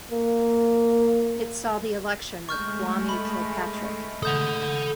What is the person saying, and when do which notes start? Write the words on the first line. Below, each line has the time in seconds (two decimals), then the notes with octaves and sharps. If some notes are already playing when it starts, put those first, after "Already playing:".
It saw the election of Kwame Kilpatrick.
0.12 A#3
2.49 G#3 A3 C#6 F6 G6
3.09 B5
4.22 A4 F#5 D#6 G6